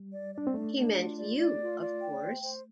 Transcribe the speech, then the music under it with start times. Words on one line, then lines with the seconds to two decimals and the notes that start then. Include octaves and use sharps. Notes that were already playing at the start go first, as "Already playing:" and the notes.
He meant you, of course.
Already playing: G3
0.13 D5
0.34 D4 D5
0.47 C4
0.54 A3 D4
0.75 D4
0.96 F4
1.17 D5
1.38 D5
1.59 F4
1.80 D5
2.01 G5
2.22 C5
2.43 C5